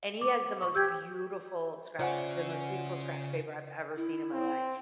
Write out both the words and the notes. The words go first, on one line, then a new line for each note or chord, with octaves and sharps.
And he has the most beautiful scratch the most beautiful scratch paper I've ever seen in my life.
D6
C#6
G4 E6 G6 G#6
C#3 C#4 F4 C5 D5 E5 F#5 G#5
E4
C4